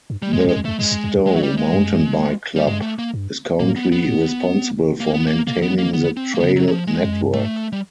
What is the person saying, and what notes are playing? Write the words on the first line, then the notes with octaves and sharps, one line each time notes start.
The Stowe Mountain Bike Club is currently responsible for maintaining the trail network.
G2
G3
F#2 G#3
F2
G#3
E2
F2 A3
F#2 G#3
F2
F2
E2
G#3
F#3
G3
G#3
F#2
G3
G2 G#3
A3
A#3
G2
A2 A#3
B3
B3
A2
A#3
B3
A#3
B2 A#3
D#3
B3
E3
D#3 A#3
D3 B3
C4
A#3
C#3 B3
F#3
F#3
F3
G#3
F2
F#2
G2
G#2 A3
G3